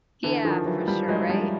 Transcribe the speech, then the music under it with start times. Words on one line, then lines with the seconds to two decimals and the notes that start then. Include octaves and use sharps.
Yeah, for sure, right?
0.24 D3 E3
0.45 D#3 F3
0.66 E3 F#3
0.88 F3 G3
1.08 F#3 G#3
1.29 F3 G3